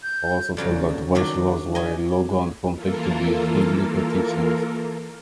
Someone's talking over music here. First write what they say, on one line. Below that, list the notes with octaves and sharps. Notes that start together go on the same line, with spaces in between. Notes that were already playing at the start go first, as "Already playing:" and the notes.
He also felt that Welsh laws were illogical and conflicted with Biblical teachings.
G6
F2 C#3 F#3 D5
D#3 F#3 D4 D6
D5 D#5 G#5
E3 A#3 F4 A4 A#4